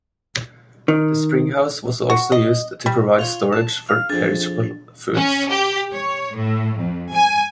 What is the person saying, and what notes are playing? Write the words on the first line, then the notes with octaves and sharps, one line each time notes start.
The springhouse was also used to provide storage for perishable foods.
D#3
F#4
D#5
G3
F4 C#5 F7
A5
F5 F6
F2 D4 G#4 A6
C#4
G4
C#5
A2
F2
G#5